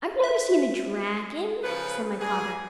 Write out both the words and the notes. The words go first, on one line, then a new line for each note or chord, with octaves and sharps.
"I've never seen a dragon," said my father.
E5
F#2 C#3 F3 B4
G2 G#4